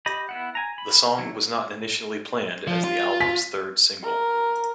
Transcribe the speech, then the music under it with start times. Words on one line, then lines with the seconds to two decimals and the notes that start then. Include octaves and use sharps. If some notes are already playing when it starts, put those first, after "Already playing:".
The song was not initially planned as the album's third single.
0.06 G4 D#5 B5
0.29 B3 E4 F#5
0.55 G#5 A#5
0.78 B5
1.18 D#3 F#3 E4
2.67 F3
2.84 F4
3.21 B6
4.03 A#4